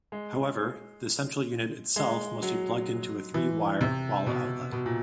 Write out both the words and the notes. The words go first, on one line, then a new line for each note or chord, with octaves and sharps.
However, the central unit itself must be plugged into a three-wire wall outlet.
G#3
G#3
F#3
E3
C3
B2
B2
A#2